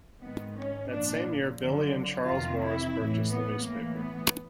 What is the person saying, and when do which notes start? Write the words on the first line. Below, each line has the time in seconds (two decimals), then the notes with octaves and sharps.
That same year, Billy and Charles Morris purchased the newspaper.
0.21 G#2 D#3 B3
0.56 C#4
0.89 A#2 F3 D4
1.57 F#2 D3 F3
2.25 F2 C3 D#3 F4
2.59 E4
2.93 A2 E3
3.27 B3
3.61 A2 E3 A#3
3.95 B3